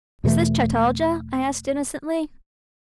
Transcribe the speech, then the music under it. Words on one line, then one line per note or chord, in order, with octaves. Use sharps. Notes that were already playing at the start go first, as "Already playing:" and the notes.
'Is this Chataldja?' I asked innocently.
E2 B2 E3 A3